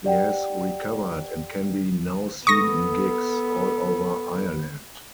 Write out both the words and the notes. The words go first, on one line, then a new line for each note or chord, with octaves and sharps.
He has recovered and can be now seen in gigs all over Ireland.
G4 D5 F#5 G5
B3 A4 C#6 D#6 A#6